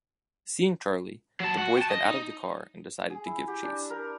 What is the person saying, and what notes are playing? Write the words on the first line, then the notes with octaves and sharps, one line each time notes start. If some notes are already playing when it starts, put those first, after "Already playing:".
Seeing Charlie, the boys got out of the car and decided to give chase.
F#3 A5
F#4 F#5
G5 A5
D#5
D#4
G#4
E4
G4
D4
A#4